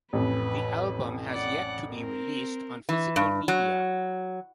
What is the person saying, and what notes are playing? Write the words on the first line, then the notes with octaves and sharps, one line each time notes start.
The album has yet to be released on physical media.
A1 F2 B4
D5 F#5
C4 A#4
E3
G2
F#3